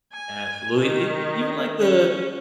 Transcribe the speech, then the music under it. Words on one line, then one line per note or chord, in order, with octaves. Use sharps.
Absolutely, e e even like the
G#5
D#3
C#4